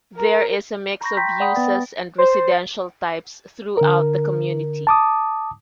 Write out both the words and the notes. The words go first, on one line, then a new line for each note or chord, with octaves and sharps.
There is a mix of uses and residential types throughout the community.
A#4
A#5 B5 C#6 G6 A#6
G5 A#5 C6 G6 B6
D5 F#5 G5 B5 D#6
B3 B4 A6
C5
D3 A#4
A5 D6 D#6